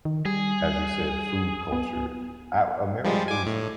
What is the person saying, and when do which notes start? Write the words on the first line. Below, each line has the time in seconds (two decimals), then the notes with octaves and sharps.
as you said, food culture, A America's
0.05 D#3
0.25 G3 G#4
1.72 B3
3.04 F3 G3 G#3
3.28 G#5 D6
3.46 A2